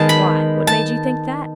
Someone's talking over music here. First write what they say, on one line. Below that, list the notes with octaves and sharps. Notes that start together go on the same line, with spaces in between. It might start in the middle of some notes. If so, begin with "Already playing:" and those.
Why, what made you think that.
Already playing: D#3 G#3 B3 A5
B5
A5